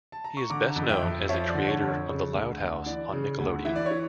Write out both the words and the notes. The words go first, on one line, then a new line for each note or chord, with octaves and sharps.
He is best known as the creator of "The Loud House" on Nickelodeon.
A5
A#5
C#6
D3 A#5 D6
F2
E5 G5
F2
F3 C#5 E5
D5
D3
C#5
F2
C#5
C#3
D2
D2
E3 D5
C#3
D2
E3 E5
D5
C#5
E3